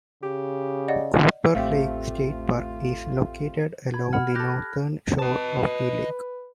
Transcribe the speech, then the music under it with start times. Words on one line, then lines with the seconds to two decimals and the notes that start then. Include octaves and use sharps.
Cooper Lake State Park is located along the northern shore of the lake.
0.23 C#3 G4
0.88 D5 D#5 F#5
1.55 A1 D#2 A3 C4 F4 G4 E5 F5
3.94 B5 G#6
4.13 F#5 B5 F6
4.35 G4 A4 F#6 A#6
5.19 B4 D#5 A5